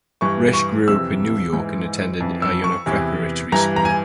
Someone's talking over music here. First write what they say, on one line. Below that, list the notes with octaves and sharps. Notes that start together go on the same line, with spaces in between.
Resh grew up in New York and attended Iona Preparatory School.
G2 E3 C#6
C#6
F2 C3 E3 E6
G#2 E3
F2 E3
E6
C#6
E2 C3 E3
G2 E3 A#5
A#5
G#5